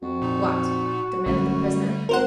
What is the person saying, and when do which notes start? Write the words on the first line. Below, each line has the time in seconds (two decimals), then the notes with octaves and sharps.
"What?" demanded the prisoner.
0.02 F2 F#4
0.22 A#2 D#4
1.26 A#1 F#2 D3 G3 A3
2.09 G#1 D2 A#4 C5 F#5